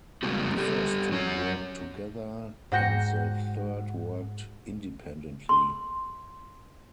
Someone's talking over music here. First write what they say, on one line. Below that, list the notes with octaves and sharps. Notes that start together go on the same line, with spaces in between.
The first two worked together, and the third worked independently.
C#3 G3 G#3 A#3 C4 F#4
G3 G4 A4
F#3 C#4 C#5
G#2 F#4 G5 A#6 C#7
C6